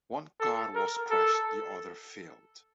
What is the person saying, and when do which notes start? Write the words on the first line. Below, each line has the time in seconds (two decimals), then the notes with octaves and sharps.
One car was crashed, the other failed.
0.40 A4
0.75 A#4
1.10 A4